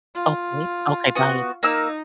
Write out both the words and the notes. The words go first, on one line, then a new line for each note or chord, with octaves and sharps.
okay, okay, by
F4
B3 F#4
A#3 D#4 E6